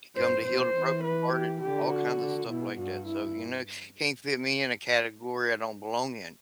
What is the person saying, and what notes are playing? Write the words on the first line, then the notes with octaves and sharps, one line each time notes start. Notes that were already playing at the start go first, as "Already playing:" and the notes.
He come to heal the brokenhearted, all kinds of stuff like that, so, you know, can't fit me in a category I don't belong in,
G2 C5
B2 C5
E3
B4
G4
D3 G4
F#4
D3
B2 E4
G2 F#4
E4